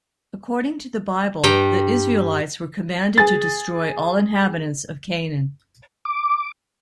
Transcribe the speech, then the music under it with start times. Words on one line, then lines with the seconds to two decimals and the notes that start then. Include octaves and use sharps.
According to the Bible, the Israelites were commanded to destroy all inhabitants of Canaan.
1.43 G2 G3 G5 A#5
3.18 G#4 A6
6.05 D6